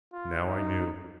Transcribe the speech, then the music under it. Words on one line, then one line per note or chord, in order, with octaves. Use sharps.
Now I knew!
F4
D#4